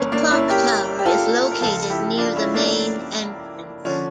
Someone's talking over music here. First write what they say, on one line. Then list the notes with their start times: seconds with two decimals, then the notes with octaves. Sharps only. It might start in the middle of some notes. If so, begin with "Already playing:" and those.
A clock tower is located near the main entrance.
Already playing: G1 G2 E3 A#3 C#4
0.12 A#3 D4
0.31 C#4 E4
0.50 G4 A#4
0.99 G4
1.05 F4 A4
1.52 A#4
1.61 C#2 C#3 F3 F4 A4
1.89 E4 G4
2.17 D4 F4
2.36 C#4 E4
2.54 A#3 D4
3.85 D3 F3 C#4